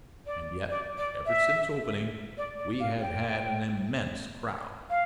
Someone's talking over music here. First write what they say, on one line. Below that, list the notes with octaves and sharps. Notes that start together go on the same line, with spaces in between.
And yet, ever since opening, we have had an immense crowd.
D5
D5
D5
E5
D5
D5
F5
G5
F5